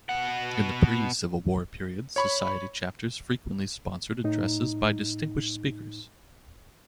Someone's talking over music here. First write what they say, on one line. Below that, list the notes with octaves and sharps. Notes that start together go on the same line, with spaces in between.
In the pre-Civil War period Society chapters frequently sponsored addresses by distinguished speakers.
B2 F#5
C#5 B5 C#6
A2 D#4